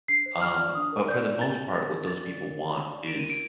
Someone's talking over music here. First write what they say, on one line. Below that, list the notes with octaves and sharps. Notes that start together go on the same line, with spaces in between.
Um, but, for the most part, what those people want is
D4 C7
C5
F4 F6
D5
D4 D#6
A#4
D5 G6
D5
G4 A6
G4
A#4 A6
F4
F4 A6
D5
A#4
G4
G4
D5
A#4 D7
D#7
F4 D7